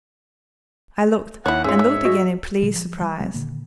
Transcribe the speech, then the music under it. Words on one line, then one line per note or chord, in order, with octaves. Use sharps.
I looked, and looked again in pleased surprise.
D#2 E4 C#5 F#5
G#2 C#4 F4 G#4 C#5 E5
G#3
F#4 D#5
A#2 D3 F#3
F3
E3 G3
C3 F#3 G#3 C4
A#2 D3 D#3 A#3